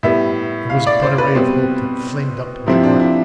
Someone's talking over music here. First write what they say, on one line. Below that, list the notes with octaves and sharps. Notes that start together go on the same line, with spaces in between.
It was but a ray of hope that flamed up in my heart.
A2 G3 B3 E5
F5
D5
C5
B4
B2 G3 C4
C3 F3 C4 E4
D4
E4